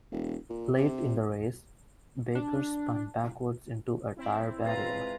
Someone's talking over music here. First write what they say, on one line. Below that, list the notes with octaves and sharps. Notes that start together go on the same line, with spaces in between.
Late in the race, Baker spun backward into a tire barrier.
E1
A#2
C3
D4
C4 E4
G#3 F4 B4 F5 A#5